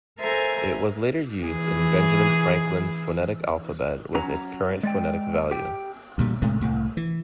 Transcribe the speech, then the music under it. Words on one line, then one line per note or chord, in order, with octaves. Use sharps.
It was later used in Benjamin Franklin's phonetic alphabet, with its current phonetic value.
A4 A#4 C5 E5 G#5 A#5
E3 G#4
F#3 C#4 A#5
G#3 D5 G5
G4 G5
D2 A#2 G3
A2 C3 G#3 A3
C2 A2
E3